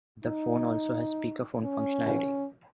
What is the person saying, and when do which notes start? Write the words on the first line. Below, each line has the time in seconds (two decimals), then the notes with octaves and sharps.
The phone also has speakerphone functionality.
0.25 D#4
1.63 C#4